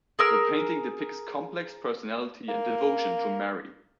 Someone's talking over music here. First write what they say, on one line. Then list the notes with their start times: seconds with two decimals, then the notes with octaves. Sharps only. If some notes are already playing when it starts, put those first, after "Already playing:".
The painting depicts complex personality and devotion to Mary.
0.19 G#4 A#4 E6
2.49 A#3